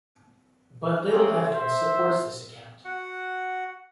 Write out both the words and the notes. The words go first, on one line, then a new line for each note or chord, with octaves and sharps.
But little evidence supports this account.
A#3 C4 C#4 G#4
C5 E5
F#4 F#5